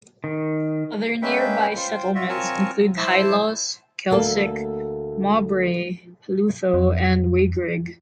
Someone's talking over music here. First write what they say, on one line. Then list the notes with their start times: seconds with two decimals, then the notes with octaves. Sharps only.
Other nearby settlements include Highlaws, Kelsick, Mawbray, Pelutho, and Wheyrigg.
0.24 D#3
1.22 G#3 A#3 C#4 B4 E5 G5
1.76 F4 C5 G5
2.15 F4 F#4 E5
2.29 C4 F4 A#4 C#5 G#5 A5
2.97 E4 C5 A5
4.11 D2 A#3 A4
6.74 F2